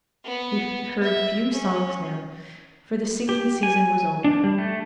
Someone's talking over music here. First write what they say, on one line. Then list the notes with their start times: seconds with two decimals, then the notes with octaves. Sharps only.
He heard few songs now, for the singing season was over.
0.25 B3
1.02 E5
1.51 C#4
3.29 G4
3.63 G#5
4.24 D4
4.44 G3
4.58 A3